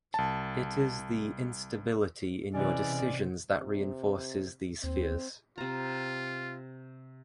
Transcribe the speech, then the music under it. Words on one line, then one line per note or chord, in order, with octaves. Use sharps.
It is the instability in your decisions that reinforces theses fears.
C2 A5
C3 E3 G#3 C#4 D5
C3
C3
D#2 C4
C3 F4 A#5